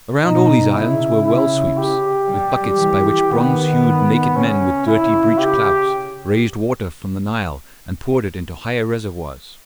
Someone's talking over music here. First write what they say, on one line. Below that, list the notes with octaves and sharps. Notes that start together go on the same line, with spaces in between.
Around all these islands were well-sweeps, with buckets by which bronze-hued naked men with dirty breech clouts raised water from the Nile and poured it into higher reservoirs.
B2 D#4
C#3 E4
E4
G4
G3
E3
D#3 B3
C#3 C#4
E4
G4